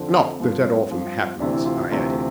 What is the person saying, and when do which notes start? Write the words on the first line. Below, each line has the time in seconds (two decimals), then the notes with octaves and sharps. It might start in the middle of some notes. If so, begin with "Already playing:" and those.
"Not that that often happens," I added.
Already playing: F2 D3 F3
0.15 C4
0.40 G2 F3
0.90 G2 F3
1.40 D2 C3 E3 D4
1.53 E4
1.65 F4
1.78 F4
1.91 D2 C3 E3